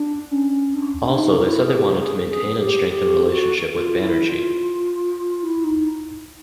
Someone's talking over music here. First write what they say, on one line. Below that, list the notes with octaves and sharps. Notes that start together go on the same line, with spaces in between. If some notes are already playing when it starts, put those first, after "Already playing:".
Also they said they wanted to maintain and strengthen relationship with Banerjee.
Already playing: D4
C#4
D4
D4
D#4
F4
E4
G#4
G4
G#4
G#4
G4
G4
F4
F#4
F4
E4
F4
E4
D#4